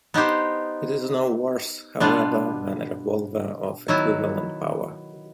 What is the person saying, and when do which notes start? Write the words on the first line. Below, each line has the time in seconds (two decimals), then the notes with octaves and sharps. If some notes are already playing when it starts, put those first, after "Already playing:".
It is no worse, however, than a revolver of equivalent power.
0.14 B3 D#4 G4 C5
2.00 B2 G3 B3 D4 F4
3.88 D#3 F#3 B3 E4